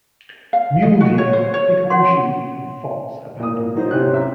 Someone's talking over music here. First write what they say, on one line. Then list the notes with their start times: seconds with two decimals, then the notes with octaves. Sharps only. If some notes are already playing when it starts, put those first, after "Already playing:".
Mule deer, bighorn sheep and fox abound in this area.
0.53 F5
0.83 D#5
1.01 F#4
1.18 C#5
1.33 C5
1.54 C#5
1.90 C#4 C#5 F#5 C6
3.39 A#2 D#6
3.53 A#3
3.75 F#3 D#4 C5
3.91 C3 C#4 F#6
4.14 E5 A#5 E6